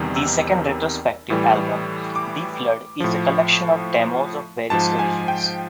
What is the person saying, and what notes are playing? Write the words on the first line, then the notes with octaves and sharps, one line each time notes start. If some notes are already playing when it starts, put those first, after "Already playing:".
The second retrospective album, "The Flood", is a collection of demos of various origins.
Already playing: E2 C3 D#3 G3
E6
A2 E3 G3
D6
A2 F3
G#2 F3 A5
G#5
G5